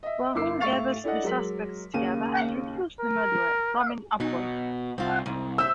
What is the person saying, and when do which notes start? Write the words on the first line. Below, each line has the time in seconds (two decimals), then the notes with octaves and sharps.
Poirot gathers the suspects together and reveals the murderer - Robin Upward.
0.03 D#5 E5
0.35 G1 E4 A#4 D6 E6 C7
0.61 A2 E5 F5 C#6 A6 F7
1.04 D4 E4 A4 D5 D#5 F#5
1.24 F#3 G#3 A#4 B6
1.94 D#2 C#3 A#3 D#7
3.01 A#4
4.20 B2 F#3 D#4
4.98 C2 C4 F4
5.26 C2 G#2
5.58 C5 E5 E6